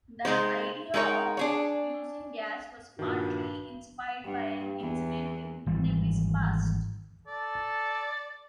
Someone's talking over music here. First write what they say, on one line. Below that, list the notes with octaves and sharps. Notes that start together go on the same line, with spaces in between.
The idea of using gas was partly inspired by an incident in Nebe's past.
C3 G#3 D#4 C5
G#3 D#4 A#4 C#5
D4 G#4 C#5
G2 A#2 D#3 F#4
G2
E2
G#1 E3 G3
A4 D5